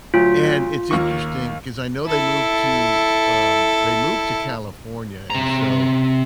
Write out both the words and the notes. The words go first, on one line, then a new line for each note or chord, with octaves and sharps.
and it's interesting 'cause I know they moved to um, they moved to California, and so,
D2 F#3 F4
D#2 A#3 C#6
E4 A4
C3 A#5